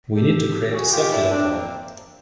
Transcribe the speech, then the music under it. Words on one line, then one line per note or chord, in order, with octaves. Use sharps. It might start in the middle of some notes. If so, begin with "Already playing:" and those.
We need to create a circular economy.
G4 A4
F#4 G#4
F4 G4
D4 E4
C4 D4
A#3 C4